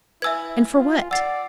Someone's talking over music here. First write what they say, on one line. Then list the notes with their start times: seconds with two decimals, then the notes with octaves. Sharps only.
"And for what?"
0.22 E4 B4 E5 G#5 E6 G#6
0.75 F4
1.11 D5 F#5 E6 A6 C7